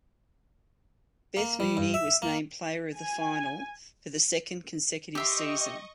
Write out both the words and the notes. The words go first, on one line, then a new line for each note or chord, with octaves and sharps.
Beth Mooney was named Player of the Final for the second consecutive season.
A#3
G3
G2
E5
A#3
G#5
G4 D#5 E5 C6 C#6